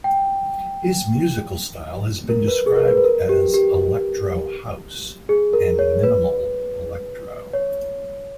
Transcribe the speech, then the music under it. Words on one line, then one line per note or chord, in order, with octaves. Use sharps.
His musical style has been described as electro house and minimal electro.
G5
A#4
B4
G#4
A#4
B4
B4
A#4
G4
G4
G#4
A#4
C#5
B4
C#5